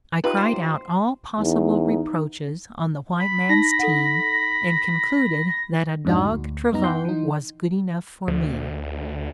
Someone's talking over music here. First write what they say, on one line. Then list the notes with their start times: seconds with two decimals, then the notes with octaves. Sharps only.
I cried out all possible reproaches on the white man's team and concluded that a dog-travaux was good enough for me.
0.24 D#4 F4 G4 B4
0.37 C5
1.39 E2 D#4
3.20 B5
3.49 D#4 A#6
3.79 A4 F#5
6.05 F2 G#2 D4 D#4 F#4
6.26 D2
6.72 F#2 B3 D#4 A#5
6.84 F#5 G5 C6 G6
7.05 E3 D#4
8.28 D2